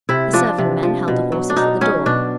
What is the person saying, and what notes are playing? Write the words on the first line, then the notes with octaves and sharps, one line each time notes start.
The serving-men held the horses at the door.
C3 E4
F3 D4
C3
F3
B2
F#3
D4
B2 D#4
F#3 C#4
B2 D4